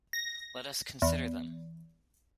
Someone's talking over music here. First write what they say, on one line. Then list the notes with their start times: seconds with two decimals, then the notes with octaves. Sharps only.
Let us consider them!
0.13 A#6
1.02 E2